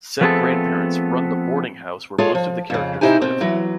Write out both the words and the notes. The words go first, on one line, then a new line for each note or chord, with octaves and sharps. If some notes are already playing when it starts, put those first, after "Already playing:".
Said grandparents run the boarding house where most of the characters live.
F3 A3 B3 C4 G#4 A4
G#3 F4 G#4 A4 C#5 D#5
F3
F2 C#3
C3 C4 D#4 E4 G4 G#5
B2 C4
E3 F#3